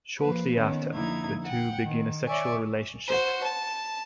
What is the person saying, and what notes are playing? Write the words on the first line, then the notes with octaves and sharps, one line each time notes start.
Shortly after, the two begin a sexual relationship.
F3 A#3 B4
D#3 B3 C#4
F2 D3 A#3 D#4 E4 G#6
F#5 G5
D#3
C#5 D5 E5 G#5 C#6
F#4 C5
A5